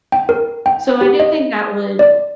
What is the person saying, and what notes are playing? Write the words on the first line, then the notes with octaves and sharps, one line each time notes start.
So I do think that would
G5
A#4
G5
G4
D#5
D5